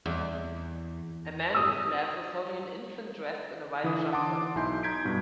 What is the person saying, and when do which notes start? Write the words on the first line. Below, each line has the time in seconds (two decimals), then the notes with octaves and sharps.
A man with glasses holding an infant dressed in a white jumper.
0.06 E2
1.55 D#6 E6
3.84 D3 E3 D#4 E4 D#6
4.12 F#5 A5 C6 D6 D#6
4.55 B1 D#4 E4 G#5 C6 G6
4.83 A#5 G6 G#6 B6 D7
5.05 G2 B2